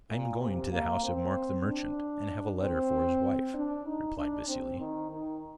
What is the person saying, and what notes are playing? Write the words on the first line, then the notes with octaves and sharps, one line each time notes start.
'I am going to the house of Mark the Merchant, and have a letter for his wife,' replied Vassili.
A#2
C3
A#3
C4
D4
C4
D4
D#4
D4
C4
D#3
D#3